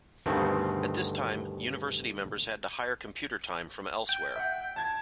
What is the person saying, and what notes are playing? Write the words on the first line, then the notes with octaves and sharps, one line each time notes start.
At this time university members had to hire computer time from elsewhere.
D2 G2 B2 D#3 A3 C4
G5
E5 F#5
A5 G#6